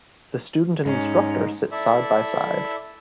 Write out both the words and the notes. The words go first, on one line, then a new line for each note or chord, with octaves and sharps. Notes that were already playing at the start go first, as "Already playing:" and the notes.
The student and instructor sit side-by-side.
G#2 C#4 D#4
E4 A4 D5 E5